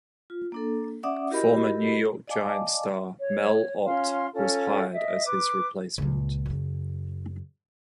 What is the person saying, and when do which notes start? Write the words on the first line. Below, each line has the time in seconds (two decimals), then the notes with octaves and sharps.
Former New York Giants star Mel Ott was hired as his replacement.
0.30 F4
0.52 A#3 D4 A4
1.03 C#4 D5 E5 F#5 D6 D#6
1.30 E4 F#4 G4 A#4 D#5 B5
2.28 D5 D#5 F5 G#5 A5 D6
3.19 C#5
3.85 C#4 F4 F5 C6
4.33 C#4 F4 A4
4.92 D#5 E5
5.25 B4 D6
5.98 C#2 A#2
6.46 F#2 C#3